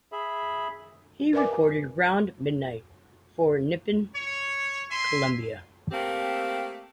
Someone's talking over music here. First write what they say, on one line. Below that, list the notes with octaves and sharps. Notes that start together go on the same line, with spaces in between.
He recorded "Round Midnight" for Nippon Columbia.
G#4 E5 B5
A#4 B4 D5 E5 G#5 D6
C#5
E5 G#5 C6
A3 A#3 C4 G4